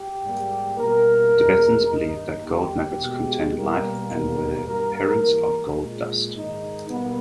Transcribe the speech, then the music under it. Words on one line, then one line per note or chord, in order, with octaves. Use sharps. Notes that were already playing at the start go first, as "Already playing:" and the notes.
Tibetans believed that gold nuggets contained life and were the parents of gold dust.
Already playing: G4
G#2 G3 A#3
B2 G3 A#3 A#4
E2 B2 G#3
G2 D#3 A#3 D#4
E2 D#3 G3 A#3 G4
B2 G#3
B2 G3 A#3 A#4
E2 B2 G3 A#3
G2 G3 A#3 A#4
G#2 E3 G3 A#3 A#4
A#2 G#3
G#2 D#3 G#3 D#4
B2 G3 A#3 B3